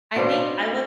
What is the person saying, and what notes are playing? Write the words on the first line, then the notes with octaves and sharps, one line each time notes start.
I think I look
B2 C#4 D4 C5 F5 D6